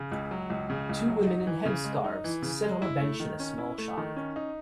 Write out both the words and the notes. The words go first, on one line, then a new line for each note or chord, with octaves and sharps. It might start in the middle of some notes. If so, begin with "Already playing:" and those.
Two women in headscarves sit on a bench in a small shop.
Already playing: C#3
C#2
F#3
C#2
C#3
C#2
F#3
D#4
E3
C#3
G#3
D#4
E3
C#3
G#3
E4
A3
D#3
C#4
E4
A3
D#3
C#4
D#4